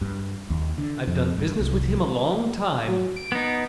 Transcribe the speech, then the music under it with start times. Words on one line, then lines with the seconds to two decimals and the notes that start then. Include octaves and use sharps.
I've done business with him a long time.
0.01 G2
0.50 D#2
0.78 D3
1.07 F2
1.38 G2
1.60 C2
2.88 F#3
3.16 D7
3.32 B3 D#4